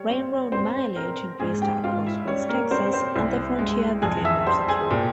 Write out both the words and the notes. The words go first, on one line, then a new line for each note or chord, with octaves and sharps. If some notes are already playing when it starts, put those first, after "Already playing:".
Railroad mileage increased across West Texas, and the frontier became more secure.
Already playing: G3 C#5
C4
C4 C5 C6
C4 A#4 A#5
G#2 G#4 G#5
G4 G5
G#2 F4 F5
E4 E5
G3 C#4 C#5
A#3 A#4
G3 C4 C5
C4 C5
C2
G#3
F2 G#4 G#5
E5 E6
G3 C5 C6
G#4 G#5
A#2 G4 G5